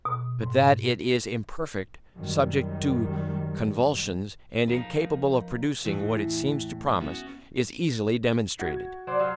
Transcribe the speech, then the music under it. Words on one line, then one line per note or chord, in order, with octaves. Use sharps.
But that it is imperfect, subject to convulsions, and incapable of producing what it seems to promise, is easily demonstrated.
B2
G#2
F#2 D#3 G3
F3 D#4 A#4 B4
E2 A2 E3
B3 C#4 E4 F#4
F#4 G#6
F#3 C5 D5
F#3 F4